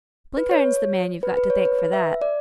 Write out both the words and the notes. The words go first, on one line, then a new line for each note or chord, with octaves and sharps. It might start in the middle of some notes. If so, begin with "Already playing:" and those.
Blenkiron's the man you've got to thank for that.
B4
C#5
B4
B4
C#5
B4
B4
E5
D5